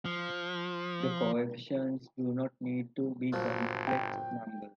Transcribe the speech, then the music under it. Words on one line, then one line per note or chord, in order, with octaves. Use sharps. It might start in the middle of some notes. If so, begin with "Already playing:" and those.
The coefficients do not need to be complex numbers.
F3
G1 A#2 F3 F#3
G5